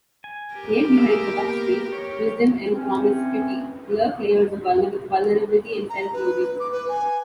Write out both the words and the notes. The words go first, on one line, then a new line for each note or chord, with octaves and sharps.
Yet behind her tough street-wisdom and promiscuity, lurk layers of vulnerability and self-loathing.
G#5
G4 A#4
G#4 E5 F5
A#3 B3
C#5
E3 C4 C#4
A#5
B4
D6
B4
G#5